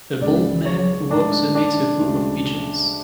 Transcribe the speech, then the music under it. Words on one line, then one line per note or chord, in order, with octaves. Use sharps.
A bald man walks amidst a group of pigeons.
C#2 C#3 F#3 D5
C#5
A2 G#3 D4
D4
D2 C#3 G#3